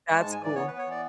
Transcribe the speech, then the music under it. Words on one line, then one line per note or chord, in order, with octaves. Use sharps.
That's cool.
G#3 C#6
G#2 A5
G#5
E3 D5
B3 C#5
B3 B4
C#5
E3 D5